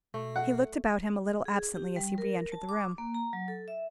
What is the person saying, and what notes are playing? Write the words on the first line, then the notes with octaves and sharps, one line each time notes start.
He looked about him a little absently as he re-entered the room.
B2 A3
F#5
G#4
G4
G3
A#4
A5
D6
A#3
A#5
F#3
A4
E5